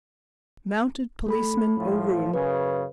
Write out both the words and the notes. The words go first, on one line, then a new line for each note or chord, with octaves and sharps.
Mounted Policeman O'Roon.
A3 A4 B5
A2 F3
F#2 C#3 B4